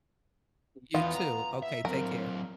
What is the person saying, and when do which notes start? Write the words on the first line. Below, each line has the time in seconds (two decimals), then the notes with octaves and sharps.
You too, okay, take care.
0.94 E2 B3 F4
1.15 A#5
1.62 E5
1.85 F#3 C4 A#4